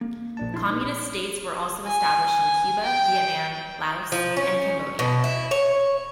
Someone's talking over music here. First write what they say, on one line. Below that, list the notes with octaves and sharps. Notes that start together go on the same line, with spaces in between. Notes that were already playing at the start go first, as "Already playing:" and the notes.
Communist states were also established in Cuba, Vietnam, Laos, and Cambodia.
A#3
A#1 D4 A5
E4 C6
D#4 B4
G#5
G5
F3
C#4
B2
E4
C#5